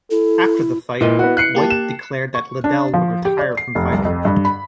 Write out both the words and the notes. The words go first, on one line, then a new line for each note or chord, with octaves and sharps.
After the fight, White declared that Liddell would retire from fighting.
E4 A4
A#2 E4 B4 D#5
B3 F#4
F#6 C7 C#7
A#3 G4 A5
E7
C#6
D4
F3
G4
D5
C7
F1
C2
F2
G2
B5